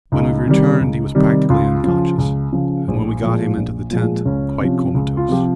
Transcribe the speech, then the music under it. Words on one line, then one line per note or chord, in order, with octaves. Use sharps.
When we returned he was practically unconscious, and when we got him into the tent quite comatose.
C#2 D#4
C3 D#3 G3
C#2
C3 D#3 G3
C#2 F4
C#3 F3
C#2
C#3 F3
A#1
A#2 F3 G#3
A#1
A#2 F3 G#3
C#2 C#4
C3 F3
C#2
F4
C3 F3 G4